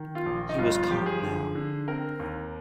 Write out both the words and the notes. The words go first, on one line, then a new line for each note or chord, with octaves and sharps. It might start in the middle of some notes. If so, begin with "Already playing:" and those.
He was caught now.
Already playing: D#3
F4
A#1
D#4
G1 F4
F4
F3 G4
G#4
D3
D3
C4 A#4
D#2